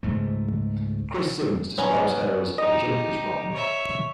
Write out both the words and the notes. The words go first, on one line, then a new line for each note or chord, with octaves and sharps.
Chris Sims describes her as the Joker's Robin.
C#2 G#2 A3
F#3 B3 C#4
D#4 G4 D#5
C#5 E5